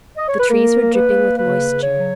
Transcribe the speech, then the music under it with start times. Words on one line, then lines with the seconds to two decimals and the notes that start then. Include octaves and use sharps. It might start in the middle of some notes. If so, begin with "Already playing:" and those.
The trees were dripping with moisture.
0.17 D#5
0.28 C#5
0.39 B4
0.50 A#3 A#4
0.80 A#3
0.94 B4
1.10 A#3
1.38 C#3 B4
1.68 C#3
1.83 C#5
1.98 F#3